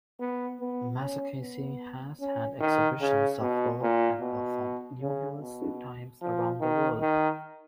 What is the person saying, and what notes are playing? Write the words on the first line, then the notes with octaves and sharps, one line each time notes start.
Massaccesi has had exhibitions of work and performed numerous times around the world.
B3
B3
C#4
B3
C#4
D#3
C#3
B2
A#2
B2
C#3
B2
F3
D#3
D#3